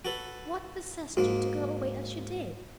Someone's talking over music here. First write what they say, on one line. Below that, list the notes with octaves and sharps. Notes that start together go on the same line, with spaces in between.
What possessed you to go away as you did?
F#4 A4 B4
G#2 A#3 F#4